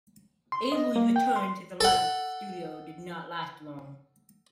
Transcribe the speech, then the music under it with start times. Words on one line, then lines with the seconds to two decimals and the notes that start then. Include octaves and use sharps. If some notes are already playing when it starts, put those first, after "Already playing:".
Avery's return to the Lantz studio did not last long.
0.52 C6
0.72 D#5
0.96 A#3
1.16 G5
1.36 C6
1.81 A4 F#5